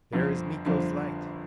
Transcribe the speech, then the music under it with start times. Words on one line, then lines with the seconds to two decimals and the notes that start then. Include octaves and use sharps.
"There is Miko's light!"
0.13 G1 F2 D3 F3
0.66 G1 F2 D3 F3